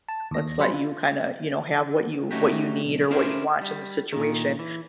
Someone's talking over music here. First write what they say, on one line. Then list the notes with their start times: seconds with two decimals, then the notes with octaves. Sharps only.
let's let you kinda, you know, have what you what you need or what you want in the situation,"
0.08 A5
0.31 D#2 A#6
0.59 F#3 G3 C#4 C5 B5 C#7
0.74 F4
2.31 A3 C#4 D#4 F#4 G4
2.85 B1
3.10 C#4 D4 E4 G#4 A#4 C5
3.62 G3
4.13 A#2 D#3
4.59 E3